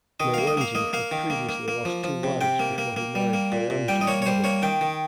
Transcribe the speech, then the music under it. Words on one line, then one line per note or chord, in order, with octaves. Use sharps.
Merwanji had previously lost two wives before he married Behramji's mother.
D#3 D#5
A#3 F5
D#5
A#3 F5
A#3 D#5
A#3 F5
D#3
A#3
A#3
A#3
F3
F3
C3
C3 G5
A#3
A#3
A#3
G3
A#3
A#2
A#2
G3 G5
D#5
A#3 C#5
C#5
G3 C5
A#3 C#5
D#3 G5
D#3